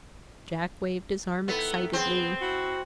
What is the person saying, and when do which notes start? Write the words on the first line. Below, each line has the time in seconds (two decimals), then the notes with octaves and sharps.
Jack waved his arm excitedly.
1.48 D#3 B3 E4 A4
1.93 B3 C4 G#4
2.41 E4 F#4